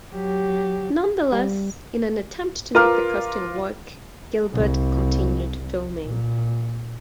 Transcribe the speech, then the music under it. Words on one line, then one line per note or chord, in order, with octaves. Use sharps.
Nonetheless, in an attempt to make the casting work, Gilbert continued filming.
F#3 G4
G3
F4 A#4 B4 A#5 D6 F6
C2
A#2